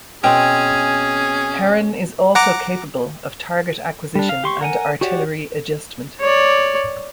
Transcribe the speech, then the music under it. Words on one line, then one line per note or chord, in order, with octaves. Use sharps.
Heron is also capable of target acquisition and artillery adjustment.
B2 C4 C#4 G#4 G5
F#5 A#5 D6
G3 D4
F5
G4 C6 C#6
A#4 F#5 G#5
F#4 G4 C#5 D5 F#5
C#5 D5